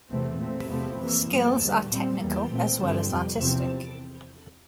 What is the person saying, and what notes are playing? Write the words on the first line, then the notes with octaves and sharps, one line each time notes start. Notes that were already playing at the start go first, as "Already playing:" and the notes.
Skills are technical as well as artistic.
E2 C3 E3 A3 C4
A#2 A3 C4
E2 C3 F3 A3 C4
F2 E3 A#3
G2 F3 A#3
E2 D3 G3
A#2 G3 C4
E2 E3 G3 A#3
A#2 A3 C4
G2 D3 F3 C4
F2 C3 G3
E2 C3 F3 C4